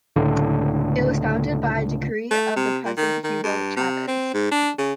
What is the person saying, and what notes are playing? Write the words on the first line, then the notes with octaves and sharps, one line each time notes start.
It was founded by Decree of the president Hugo Chavez.
C#2 A2 D3
A3
C3
A#2
D#3
D#3
G2
C3
C4
G#2
D4
C#3